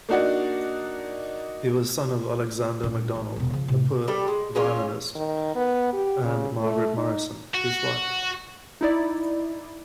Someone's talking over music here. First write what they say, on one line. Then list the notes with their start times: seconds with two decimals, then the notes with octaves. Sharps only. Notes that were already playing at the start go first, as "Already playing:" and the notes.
He was son of Alexander Macdonald, a poor violinist, and Margaret Morison, his wife.
0.09 A#3 D4 D#4 F#4 D5 F#5
2.83 A#2 C#4
3.15 A1
3.36 E1 B2
3.50 C#3 F3
3.68 A2 C3
4.08 G3 D4 G4 A4
4.28 G#3
4.55 G#3 C#4 F4 C#5
5.15 D#3
5.56 B3
5.93 G4
6.24 C#3
6.62 A3
6.97 D#4
7.54 F#4
8.81 D#4 E4 D5